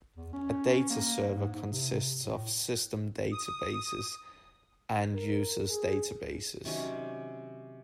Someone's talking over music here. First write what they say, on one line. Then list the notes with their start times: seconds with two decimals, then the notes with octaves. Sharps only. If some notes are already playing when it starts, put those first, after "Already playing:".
A dataserver consists of system databases and user's databases.
0.16 E2
0.33 C#4
0.90 A#3
1.32 G#2
1.53 G#2
1.71 C3
2.23 A2
3.32 D#6
5.14 A#4
5.70 G#4
6.65 C3 D#3 F#3 C#4